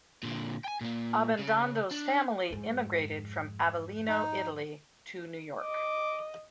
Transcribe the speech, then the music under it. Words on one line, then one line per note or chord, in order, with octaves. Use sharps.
Abbandando's family immigrated from Avellino, Italy to New York.
A#2 D3
G5 G#5
A#2 A#3
C#3
D4
F2 G#2
D#4
D#5 D6